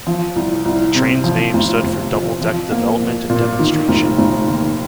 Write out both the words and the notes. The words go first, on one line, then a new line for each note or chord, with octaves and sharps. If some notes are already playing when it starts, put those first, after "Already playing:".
The train's name stood for Double Deck Development and Demonstration.
F3
C2
C2
C3
F3
F1
F1
F2
F3
A#3
A#1
A#2
D#3
F1
F1
D#2